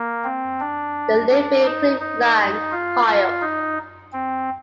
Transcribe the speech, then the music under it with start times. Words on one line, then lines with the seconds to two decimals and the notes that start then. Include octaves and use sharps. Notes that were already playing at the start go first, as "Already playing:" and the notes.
They live in Cleveland, Ohio.
Already playing: A#3
0.24 C4
0.60 D4
1.30 D4
1.65 D#4
2.00 D#4
2.72 F4
3.07 F4
3.41 D#4
4.13 C4